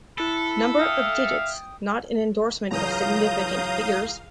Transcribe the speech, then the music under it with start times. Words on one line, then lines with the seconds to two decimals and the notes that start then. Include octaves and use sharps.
Number of digits not an endorsement of significant figures.
0.18 E4 A4 B5 B6
0.80 E5 F5 G5 D#6
2.71 C#2 G#2 E3 F#3 F5 A#5 D#6 G6